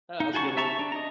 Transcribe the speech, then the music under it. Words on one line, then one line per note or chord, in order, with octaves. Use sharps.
Ah, that's a good one.
D#4
F#4 G#4 A5 C6 C#6
E5 A5 A#5 C#6
D4
D#5 A#5